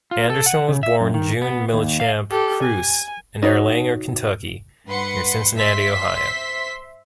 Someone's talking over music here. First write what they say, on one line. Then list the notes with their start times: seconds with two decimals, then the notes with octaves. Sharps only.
Anderson was born June Millichamp Kruse in Erlanger, Kentucky, near Cincinnati, Ohio.
0.11 F4
0.30 A4
0.46 F#5
0.68 C#3
0.83 E5
1.01 F#2
1.14 D#3
1.42 B3
1.73 D#2
2.00 F5
2.31 G4 A4
2.63 G#5
3.42 D#4 F#4 C#5
4.88 G2 B4 F#5 C6 C#7
5.57 C5 E5 C6 B6